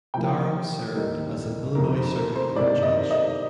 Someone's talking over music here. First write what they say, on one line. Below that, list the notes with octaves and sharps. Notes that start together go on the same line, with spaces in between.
Darrow served as an Illinois Circuit Court judge.
C3 F3 A#3 G5
D#2 D#3 G3 A#3 D#4
F2 C3 D#3 A#4
C5
A#4
C5
C3 D#3 A#3 D#4 D5
D#5
D#5